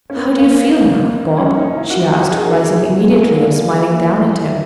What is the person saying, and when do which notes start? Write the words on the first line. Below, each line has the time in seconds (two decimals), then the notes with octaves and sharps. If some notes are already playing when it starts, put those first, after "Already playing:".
"How do you feel now, Bob?" she asked, rising immediately and smiling down at him.
0.10 C#4
0.17 B3
0.37 A#3
1.38 C#4
1.57 D#4
1.77 E4
1.90 F#4
2.05 D#4
2.18 F#4
2.31 G#4
2.44 A#4
2.58 G#4
2.72 F#4
2.85 E4
2.98 G#3
3.11 F#3
3.26 A#3
3.38 A#3
3.59 G#4
4.19 E4